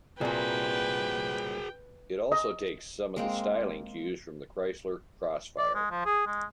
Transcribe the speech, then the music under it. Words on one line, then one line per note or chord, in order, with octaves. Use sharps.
It also takes some of the styling cues from the Chrysler Crossfire.
C2 A#2 F#4 G#4 B4 G5
D#5
G#3 A#3 C4
D5
G#3
F3
G#4
G#3